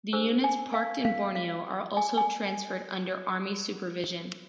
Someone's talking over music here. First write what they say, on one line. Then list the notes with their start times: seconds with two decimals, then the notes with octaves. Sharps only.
The units parked in Borneo are also transferred under army supervision.
0.13 D4 G#4 C5 E6
0.44 G#5
0.74 F5
1.05 F5
1.35 F5
1.97 G#5
2.17 G#5